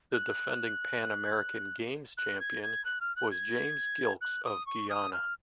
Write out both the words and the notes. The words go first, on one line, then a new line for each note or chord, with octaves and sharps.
The defending Pan American Games champion was James Gilkes of Guyana.
F#6
F#6
G#6
G#6
F#6
F6
F#6
G#6
F#6
D#6
C#6
D#6
F6